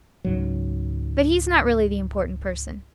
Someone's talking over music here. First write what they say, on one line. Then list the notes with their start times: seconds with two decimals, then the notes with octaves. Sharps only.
But he's not really the important person.
0.24 C#2 G#2 F#3